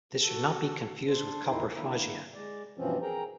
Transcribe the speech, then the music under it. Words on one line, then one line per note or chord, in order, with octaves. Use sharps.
This should not be confused with coprophagia.
F#4 A4
D4 A4 C5
E2 A#2 D#4 E4 C5
D3 A#3 E4 A#4
G#3 D5
G2 B2 E3 F3 C4 C#4
G#4 A#4 G5 A#5